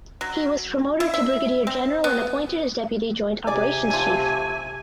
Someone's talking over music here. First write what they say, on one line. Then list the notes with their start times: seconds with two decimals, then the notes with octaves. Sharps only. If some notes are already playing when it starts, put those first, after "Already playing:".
He was Promoted to Brigadier General and appointed as Deputy Joint Operations Chief.
0.21 F#3
1.00 E4
1.14 E5
1.67 C4
2.04 B3
3.47 C3 G#4 D5 G#5
3.90 A3 F4